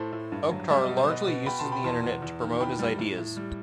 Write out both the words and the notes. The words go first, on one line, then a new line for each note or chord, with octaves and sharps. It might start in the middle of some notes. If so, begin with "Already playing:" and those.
Oktar largely uses the Internet to promote his ideas.
Already playing: A2 A4 C5
A2
G2
F#3
G3 E5
D#5
B2
C5
B2 B4 D#5
B2
B2 G5 B5
A5 C6
B2
G5 B5
E2 A5 C6
E2
E2
D#3
E2 G5 B5
G3
A2
A2
G3